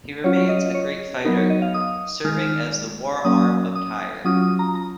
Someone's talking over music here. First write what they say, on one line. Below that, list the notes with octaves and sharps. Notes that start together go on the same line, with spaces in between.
He remains a great fighter, serving as the war arm of Tyr.
F#3 C#4 F4 C#5
C#5
D#5
D#5
C#5
F#3 B3 D#4 A#4
C#5
D#5
F5
D#6
D#3 G#3 D#4 F6
F#3 A#3 C#4 D#6
D#6
F#3 C#4 F4 D#6
D#6
A#5
A#5